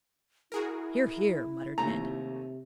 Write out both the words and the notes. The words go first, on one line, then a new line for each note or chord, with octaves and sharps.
"Hear, hear!" muttered Ned.
E4 F#4 G#4 A#4
D#2 C3 A3 A#5